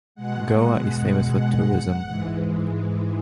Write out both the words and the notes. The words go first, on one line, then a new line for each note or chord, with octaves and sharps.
Goa is famous for tourism.
B2 G#3 F#5
G#2 E3 G#3